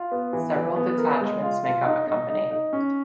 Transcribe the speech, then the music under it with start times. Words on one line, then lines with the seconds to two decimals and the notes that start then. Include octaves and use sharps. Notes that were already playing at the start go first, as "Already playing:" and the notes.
Several detachments make up a company.
Already playing: F4
0.11 B3
0.33 E3
0.55 E3
0.76 B3
0.98 A#4
1.21 G#3
1.42 F4
1.63 F4
1.86 D#4
2.07 D#4
2.30 D#4
2.51 D#4
2.73 C#4